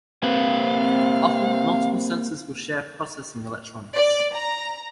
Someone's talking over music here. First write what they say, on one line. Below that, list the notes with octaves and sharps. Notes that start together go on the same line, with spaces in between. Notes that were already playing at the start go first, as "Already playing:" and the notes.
Often, multiple sensors will share processing electronics.
C3 A#3 C4 B4 F5
D5
A#5